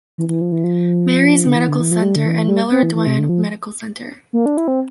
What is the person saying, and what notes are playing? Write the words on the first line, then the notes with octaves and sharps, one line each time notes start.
Mary's Medical Center and Miller-Dwan Medical Center.
E3
E3
F3
E3
F3
D3
E3
D3
E3
F3
G3
D3
E3
G3
C4
E3
E3
C3
D3
F3
A#3
D4
E4
C4